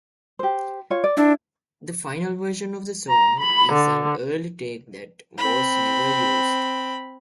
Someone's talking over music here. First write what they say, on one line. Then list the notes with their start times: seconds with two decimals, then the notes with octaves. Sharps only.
The final version of the song is an early take that was never used.
0.39 G4 C5
0.90 F4 C#5
1.04 D5
1.17 D4 E4
3.09 A#5
3.40 B5
3.72 D3
5.38 C4 B5